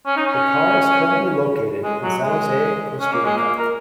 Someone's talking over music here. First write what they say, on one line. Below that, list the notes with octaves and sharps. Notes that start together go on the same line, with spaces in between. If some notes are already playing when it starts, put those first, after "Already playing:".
The car is currently located in San Jose, Costa Rica.
C#4
D#4
C#4
G#3
F#3
G#3
C#4
A#3
G#3
A#3
A#4